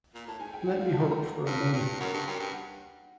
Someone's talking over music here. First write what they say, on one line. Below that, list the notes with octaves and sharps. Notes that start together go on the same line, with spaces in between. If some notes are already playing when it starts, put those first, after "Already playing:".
Let me hope for a moment!
A#2
A2 A5
G#2 G#5
G5
F#5
F5
A5
A#5
G2 F5
G2
F#2 F#5
G2
F#2 G5
G2
F#5